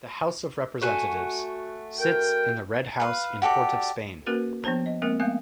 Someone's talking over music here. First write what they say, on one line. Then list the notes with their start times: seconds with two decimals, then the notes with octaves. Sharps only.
The House of Representatives sits in the Red House in Port of Spain.
0.82 A3 F#4 G#5
2.00 A#4 G5
3.00 B4 F5
3.42 F#4 G4 A4 D5
4.26 A#3 C#4 F#4 A#4 B4
4.64 F3 B3 D4 C5 A5
4.86 D#5
5.02 G#3 A#3 C4 A#4
5.20 G#3 A3 B3 F5 G#5